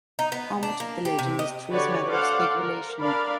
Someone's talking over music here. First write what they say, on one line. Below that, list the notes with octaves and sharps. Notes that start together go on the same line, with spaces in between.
How much of the legend is true is a matter of speculation.
D#4
B3
D4
A#3
G4
C3
D#5
D3 F#4 G4 B4 C#5 D5
A4 C5 D5 F5 F#5
A#4
D4 A#4 D5 F5 B5